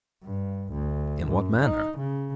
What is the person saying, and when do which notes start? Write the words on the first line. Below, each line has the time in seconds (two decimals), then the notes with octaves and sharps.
"In what manner?"
0.24 G2
0.72 D2
1.26 F#2
1.61 D#4
1.98 C#3